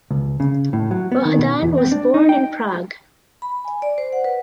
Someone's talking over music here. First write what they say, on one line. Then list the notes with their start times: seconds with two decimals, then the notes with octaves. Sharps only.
Bohdan was born in Prague.
0.11 C#2
0.40 C#3
0.73 A2
0.91 F#3
1.12 B3
1.25 D#3
1.39 B2
1.62 E2
1.78 C4
1.92 D4
2.14 D#4
2.29 G5
3.42 B5
3.65 G#5
3.82 D5
3.98 C5
4.13 F#5
4.24 B4